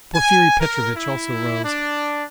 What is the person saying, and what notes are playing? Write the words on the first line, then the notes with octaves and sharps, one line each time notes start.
Porfiry Petrovitch also rose.
G#5
A#4
E4
D4